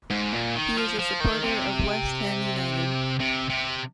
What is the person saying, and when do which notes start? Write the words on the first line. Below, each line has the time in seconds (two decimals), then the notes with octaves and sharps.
He is a supporter of West Ham United.
0.10 G#2
0.32 A#2
0.55 D#3
0.77 F3
0.99 F3
1.20 D#3
1.43 C3
3.20 C3
3.50 C3